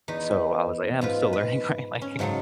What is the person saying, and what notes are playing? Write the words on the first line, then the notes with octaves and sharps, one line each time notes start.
so I was like, "I'm still learning, right?" Like
E2 D#4 B4
G#2 F4 B4
B4
C#4
G#2 C#3 F#3 G#3 A4